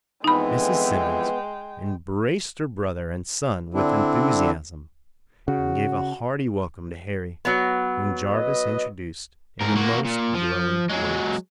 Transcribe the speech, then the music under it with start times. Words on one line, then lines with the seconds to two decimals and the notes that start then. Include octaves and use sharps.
Mrs. Simmons embraced her brother and son with enthusiasm, and gave a hearty welcome to Harry, whom Jarvis introduced in the most glowing words.
0.24 F2 E3 G#3 B3 D#4 G5 B5
3.74 D3 C4 D4 E4
5.48 C#3 F#4
7.45 F#3 B3
8.32 B4 D#5
9.61 G#2 A#4
9.75 A#3 F#4
10.05 A#2
10.35 F3
10.90 F#3 G#3